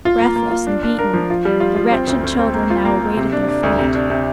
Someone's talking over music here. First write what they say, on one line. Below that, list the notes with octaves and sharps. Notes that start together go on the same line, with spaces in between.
Breathless and beaten, the wretched children now awaited their fate.
F4
A#3
A#3
F4
D4
D4
A#4
F3
F4
G3
F4
F4
C4
D2
D2
C4
A#3
F4
A#3
A#3
C3
D4
D4
D2
C3
D4
C3